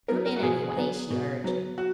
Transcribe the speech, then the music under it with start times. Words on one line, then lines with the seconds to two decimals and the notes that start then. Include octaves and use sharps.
"Come in, anyway," she urged.
0.08 F#3 B3 A#4
0.26 A#4
0.36 F#4
0.42 B2 G#4
0.76 F#3 B3
1.10 B2
1.44 F#3 B3
1.78 F#4